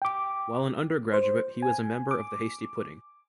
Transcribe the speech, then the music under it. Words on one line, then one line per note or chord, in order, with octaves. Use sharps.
While an undergraduate, he was a member of the Hasty Pudding.
G5 D6
C5
G#5
D6